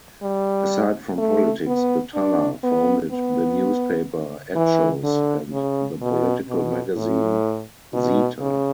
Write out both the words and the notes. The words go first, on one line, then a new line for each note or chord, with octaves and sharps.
Aside from politics, Batalla founded the newspaper "Hechos" and the political magazine "Zeta".
G3
A3
B3
D4
B3
B3
E3
D3
C#3
B2
B2
A2
B2
C#3